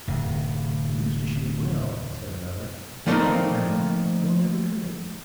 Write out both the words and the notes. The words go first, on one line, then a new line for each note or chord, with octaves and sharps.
"He used to shoot well," said another; "but can't now, nor never could."
D1 C3
F3 G3 A3 A#3 C4 D#4